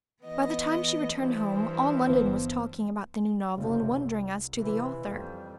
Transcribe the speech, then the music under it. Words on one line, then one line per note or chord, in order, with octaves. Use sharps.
By the time she returned home all London was talking about the new novel and wondering as to the author.
E3 B3 D#5
G2 E3 C5
G1 B3
F#1 C3
C2
C3 E3
F2 G3